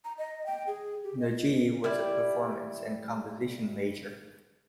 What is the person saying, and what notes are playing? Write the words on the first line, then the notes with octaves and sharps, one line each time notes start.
Najee was a performance and composition major.
A#5
D#5
G5
G#4
G4
D#5
G3 E4 D5